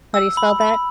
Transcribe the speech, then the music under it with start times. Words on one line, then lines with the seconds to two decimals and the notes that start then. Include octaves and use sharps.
How do you spell that?
0.14 E6
0.37 B5
0.61 B5